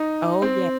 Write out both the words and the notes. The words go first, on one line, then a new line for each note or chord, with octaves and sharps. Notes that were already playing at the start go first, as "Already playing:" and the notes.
Oh, ye
Already playing: D#4
C4